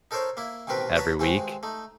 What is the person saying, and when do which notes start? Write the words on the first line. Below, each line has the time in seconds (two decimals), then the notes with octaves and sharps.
every week,
0.11 D#4 A4 A#4 C5 C#5 C#6
0.37 A#3 E4
0.67 A1 B2 D#3 C4 A#4 B4
0.95 F#4 B4 C#5 A5 A#5 C#6
1.19 G2 D#3 G#3 C4 F#4
1.63 A3 D#4